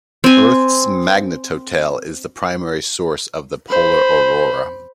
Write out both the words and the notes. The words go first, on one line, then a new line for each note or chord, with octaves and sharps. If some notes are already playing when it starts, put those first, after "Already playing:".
Earth's magnetotail is the primary source of the polar aurora.
C4 G#5
C5 B5